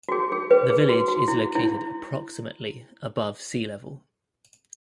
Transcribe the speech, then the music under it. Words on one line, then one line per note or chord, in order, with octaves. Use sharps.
The village is located approximately above sea level.
F#4
G#4
G#4
B4
G#4
F#4
F#4
E4
E4